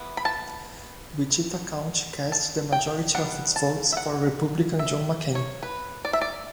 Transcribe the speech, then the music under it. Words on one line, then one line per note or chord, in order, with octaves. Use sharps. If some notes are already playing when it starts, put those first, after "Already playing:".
Wichita County cast the majority of its votes for Republican John McCain.
Already playing: E3 B3
B5
A5
A5
G5
G3 B3 D4 F#5
A5
E5
F#5
E5
C#5
B4
D5
E5
D5